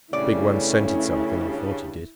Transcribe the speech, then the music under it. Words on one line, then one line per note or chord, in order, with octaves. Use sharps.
"The big one scented something, or thought he did."
G2 C#3 A3 C#4 E4 D5